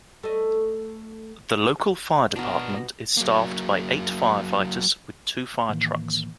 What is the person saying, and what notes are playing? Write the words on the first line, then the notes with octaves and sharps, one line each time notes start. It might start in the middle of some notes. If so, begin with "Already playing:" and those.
The local Fire Department is staffed by eight fire fighters with two fire trucks.
A3 D#5
B2 D4 F#4 A#4
F#3 A#3
A2 D#3 E3 A#3